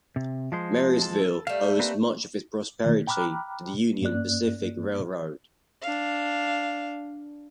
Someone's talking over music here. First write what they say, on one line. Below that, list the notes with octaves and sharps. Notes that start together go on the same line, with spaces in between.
Marysville owes much of its prosperity to the Union Pacific Railroad.
C3
F3 G#3 C5
A4
G3 A3 F5
A#3 C4 B4
B2 D#3 A3
G5 A#5 B5 D6 F6 F#6
G2 A#3 C#4 D5 F#6
D4 F5